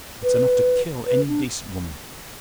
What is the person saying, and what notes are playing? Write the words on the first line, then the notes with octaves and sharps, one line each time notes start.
It's enough to kill any decent woman.
B4
B4
D4